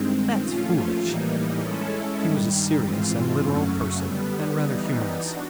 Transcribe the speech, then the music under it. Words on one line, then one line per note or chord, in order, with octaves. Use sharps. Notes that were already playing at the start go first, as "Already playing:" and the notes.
"That's foolish." He was a serious and literal person, and rather humorless.
Already playing: G2 D#3 G#3 C4
A#2 F3 A3 C#4 F4
A2 E3 G3 A#3 D#4
G#3 C#4 E4 A4
G2 D#3 G3
G#2 E3 G#3 C4 F4
F#2 C#3 F#3 A3 C#4
D3 G3 B3
E3 G3 B3 D#4
D4 F#4